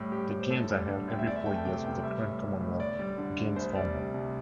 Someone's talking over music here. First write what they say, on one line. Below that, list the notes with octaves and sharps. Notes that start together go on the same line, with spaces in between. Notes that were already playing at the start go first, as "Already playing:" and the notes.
The games are held every four years with the current Commonwealth Games format.
Already playing: A2 G3 G5
G3 G4
A2
C5
D2 A4
G3
D3
D2 G5
E5
E2 D5
E5
A3 G5
A5
C3 G5
E2 G5
G3 E5
A2
G3
A2
D2 D5
G3
D3
D2
C2 C5
G3 D5
C3
C2